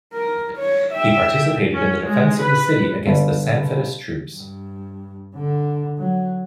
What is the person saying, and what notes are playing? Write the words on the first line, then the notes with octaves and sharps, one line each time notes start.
He participated in the defence of the city against the Sanfedist troops.
A#4
C#5
E5 G5
C#4
G#3
B4
G1
G2
D3
F#3